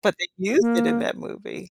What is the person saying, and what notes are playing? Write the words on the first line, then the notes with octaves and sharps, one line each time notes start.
But they used it in that movie?
A#3